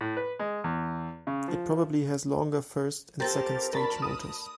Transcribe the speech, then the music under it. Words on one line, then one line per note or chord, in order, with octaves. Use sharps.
It probably has longer first and second-stage motors.
A2
B4
G#3
E2
C#3
F3
F3 C4 G4 A4 A#4 A6
D2 A#4 A5 B5
D#6